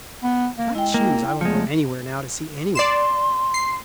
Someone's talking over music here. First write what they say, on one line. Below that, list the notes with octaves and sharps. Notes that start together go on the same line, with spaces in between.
If I choose, I won't go anywhere now to see any one.
B3
A#3
G#3 E4 G5
A#3
E2 F3 G#3 A3
D5 C6 C7 E7
C7